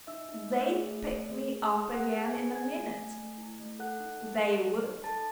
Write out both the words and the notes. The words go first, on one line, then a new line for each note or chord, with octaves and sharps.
'They'd pick me up again in a minute, THEY would!
D#4 E5 E6
D#4
A3
G#4
A3
A3
G#4
G#4
G#4
G#4 F#5 F#6
G#4
G#5 G#6
G#4
G#4 G#5 G#6
A3
A3
A3
E4
A3
A4 F#5 F#6
D#4
A4
A4
A4
D#4
A4 A5 A6